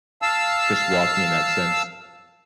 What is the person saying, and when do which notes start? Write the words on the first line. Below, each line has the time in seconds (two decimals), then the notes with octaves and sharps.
just walking in that sense
0.22 F5 A5 E6